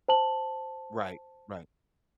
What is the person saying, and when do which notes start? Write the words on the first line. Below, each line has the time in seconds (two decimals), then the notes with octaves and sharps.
Right, right.
0.08 C5 A5 F#7